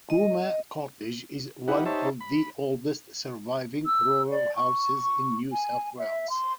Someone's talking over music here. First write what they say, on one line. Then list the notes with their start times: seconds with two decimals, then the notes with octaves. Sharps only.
Cooma Cottage is one of the oldest surviving rural houses in New South Wales.
0.10 D#5
1.68 D#4 E4 G4 B4 F#5
1.86 D#4 G4 C5 C#5 E5 A5
2.21 B5
3.85 E6
4.30 D5
4.55 C#6
5.52 G#5
5.98 E5
6.29 C6